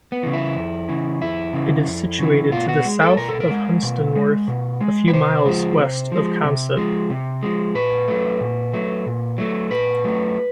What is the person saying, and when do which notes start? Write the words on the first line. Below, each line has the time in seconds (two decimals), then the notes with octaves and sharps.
It is situated to the south of Hunstanworth, a few miles west of Consett.
0.12 B3
0.23 C#3 E3
0.33 E4
0.56 F2
0.89 C#3 E3
1.21 F2 E4
1.53 C#3 E3
1.87 F2
2.19 C#3 E3
2.51 B2 F4
2.69 F#4
2.84 G#3
3.01 A4
3.17 B2 A#4
3.29 A4
3.40 A#4
3.51 G#3
3.83 B2
4.15 G#3
4.48 B2
4.80 G#3
5.08 B4
5.13 C3 C5
5.46 F3 G#3
5.78 C3
6.12 F3 G#3
6.44 C3
6.77 F3 G#3
7.10 C3
7.43 F3 G#3
7.75 A#2 B4
8.08 F#3 A3
8.40 A#2
8.73 F#3 A3
9.06 A#2
9.38 F#3 A3
9.71 A#2 B4
10.04 F#3 A3